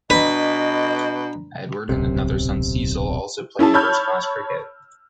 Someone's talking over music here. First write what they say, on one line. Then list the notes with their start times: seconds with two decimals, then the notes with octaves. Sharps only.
Edward and another son Cecil also played first class cricket.
0.10 B2 D4 B4 D#5 A#5
1.89 D1 B1 C3
3.59 C#4 E4 G#4 A5
3.74 C#5 A5 B5 E6 F6 G6